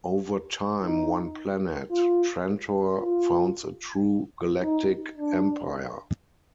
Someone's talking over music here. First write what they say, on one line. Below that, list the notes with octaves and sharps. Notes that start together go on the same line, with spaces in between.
Over time one planet, Trantor, founds a true Galactic Empire.
D#4
F4
F4
D#4
D4